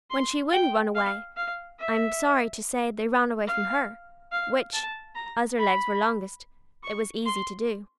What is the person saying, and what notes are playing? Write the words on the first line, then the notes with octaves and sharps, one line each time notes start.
When she wouldn't run away, I am sorry to say they ran away from her, which, as their legs were longest, it was easy to do.
C6
G5
F5
F5
E5
F5
F5
A5
A#5
B5
C#6
C6